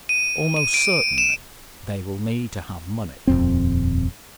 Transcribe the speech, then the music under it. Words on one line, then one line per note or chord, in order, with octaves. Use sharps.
Almost certainly they will need to have money.
D#7
D#7
D7
E7
D#1 F2 C4